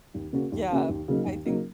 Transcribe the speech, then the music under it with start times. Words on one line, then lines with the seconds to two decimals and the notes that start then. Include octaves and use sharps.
yeah, I think
0.14 D#2
0.33 C#3 A#3 C#4 F#4
0.52 D#2
0.70 C#3 A#3 C#4 F#4
0.89 D#2
1.08 C#3 F#3 A#3 D#4
1.26 D#2
1.45 C#3 F#3 A#3 D#4